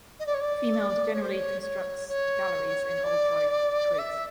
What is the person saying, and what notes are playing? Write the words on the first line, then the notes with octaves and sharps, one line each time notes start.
Females generally constructs galleries in old dry twigs.
D#5
D5
C#5
D5
C#5
C5
C#5
C#5
C#5
D5
E5